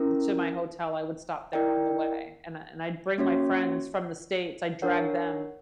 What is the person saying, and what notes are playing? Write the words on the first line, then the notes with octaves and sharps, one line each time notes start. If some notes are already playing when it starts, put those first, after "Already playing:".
to my hotel, I would stop there on the way, and I and I'd bring my friends from the States; I drag them
Already playing: C#4 E4 A#4
E4 A#4 D5 G5
A#3 C#4 F#4 C#5
D4 A#4 C#5 F#5